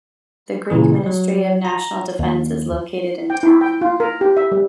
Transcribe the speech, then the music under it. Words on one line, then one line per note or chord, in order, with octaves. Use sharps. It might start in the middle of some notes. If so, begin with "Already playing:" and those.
The Greek Ministry of National Defense is located in town.
A#2 C#3 E3 G#4
F#3
A#5
D#2
G5
E4
G5
F4
A#4
G4
E5
G3